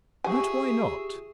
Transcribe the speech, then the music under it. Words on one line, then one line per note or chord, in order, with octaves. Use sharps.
"But why not?"
F4 G4 G#4 E5 G#5 C#6